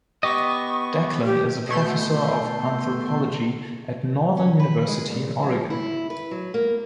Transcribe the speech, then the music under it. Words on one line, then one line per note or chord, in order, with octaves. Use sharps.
Declan is a Professor of Anthropology at Northern University in Oregon.
B3 G4 D#5 C#6
G4
B2 A3 C6 G6
C#4
B4
G#3
A#2
F#3
E4
B4
F#3
A#3